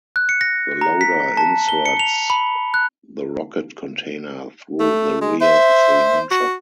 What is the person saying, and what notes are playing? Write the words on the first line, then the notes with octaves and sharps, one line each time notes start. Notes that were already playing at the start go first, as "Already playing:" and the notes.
The loader inserts the rocket container through the rear of the launcher.
F#6
C#7
A#6
A#5
B6
A5
G7
C#7
F7
B5
F#6
A3
G#3
C5 E5
F#4